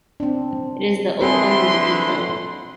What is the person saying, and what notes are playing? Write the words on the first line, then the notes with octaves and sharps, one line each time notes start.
It is the opium of the people.
C4 D4
D3 E3 A3 C4 G#4 B4 C6